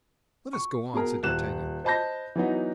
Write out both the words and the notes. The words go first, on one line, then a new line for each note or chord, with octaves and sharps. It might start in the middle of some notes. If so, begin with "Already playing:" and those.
"Let us go on," said D'Artagnan.
C#6
B2 G#4 A#4
D#1 F#6 E7
C5 D#5 A5 B5 G6 A#6
E3 F#3 B3 D#4